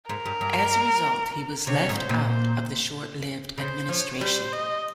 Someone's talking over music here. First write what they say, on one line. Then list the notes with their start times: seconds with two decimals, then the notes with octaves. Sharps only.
As a result, he was left out of the short-lived administration.
0.09 G#2 A#4
0.26 G2
0.41 G2
1.67 C3 C#5
1.89 G#2
1.99 C5
2.09 A#2
2.30 C5
3.58 C#3 C5
3.89 F3 C#5
4.21 G3 C5
4.52 D#5